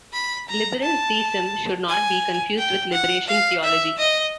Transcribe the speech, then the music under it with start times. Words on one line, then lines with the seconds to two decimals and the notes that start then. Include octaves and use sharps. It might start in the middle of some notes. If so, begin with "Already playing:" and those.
Liberal theism should not be confused with Liberation Theology.
0.13 B5
0.49 A#5
0.83 A5
1.88 G#5
2.58 G5
2.93 F#5
3.28 F5
3.63 E5
3.98 D#5